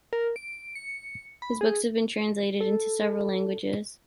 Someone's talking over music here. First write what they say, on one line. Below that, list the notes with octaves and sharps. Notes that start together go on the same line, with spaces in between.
His books have been translated into several languages.
A#4
D7
C#7
B5
G#4
A4